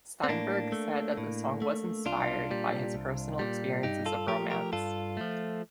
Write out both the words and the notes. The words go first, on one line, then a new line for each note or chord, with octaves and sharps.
Steinberg said that the song was inspired by his personal experiences of romance.
C4
A2 A#3 D4
A3
A2
A3
C2 D4 F4
A#2 G3
C2
A#2 G3
G2 D#4 G4
F4 A4
F3 A3 G4 A#4
G4 A#4
G2 F4 A4
F3 A3